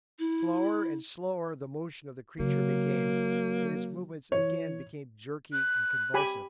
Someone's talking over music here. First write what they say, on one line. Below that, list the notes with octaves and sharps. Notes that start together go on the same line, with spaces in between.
Slower and slower the motion of the creature became, and its movements again became jerky and convulsive.
E4
C#3 F#3 A#3
E3 C#5
F#6
G4 G#5 B5